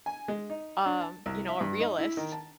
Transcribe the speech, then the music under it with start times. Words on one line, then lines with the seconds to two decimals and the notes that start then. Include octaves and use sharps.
um, you know, a realist,
0.06 G#5
0.28 G#3
0.50 D#4
0.86 D4
1.01 A5
1.26 C2
1.48 E5
1.61 G2
1.80 D#4
1.98 E4
2.17 D#3
2.32 A5